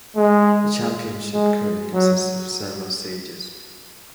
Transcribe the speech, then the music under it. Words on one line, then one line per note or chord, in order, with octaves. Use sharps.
The Championship currently consists of several stages.
G#3
G#3
F#3